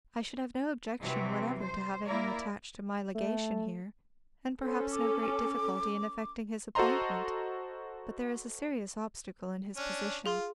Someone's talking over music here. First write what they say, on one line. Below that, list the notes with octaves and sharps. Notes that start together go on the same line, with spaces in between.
I should have no objection whatever to having him attached to my Legation here, and perhaps no great difficulty in effecting his appointment; but there is a serious obstacle in his position.
C3 E3 F#3 G3 C4
C5
A#3 E4 A#4 D5
A3
C#4 A4 C5
D6
F#4 A4 C5 D#5 A#5 C6
C#4 D4
F4 G#4 C6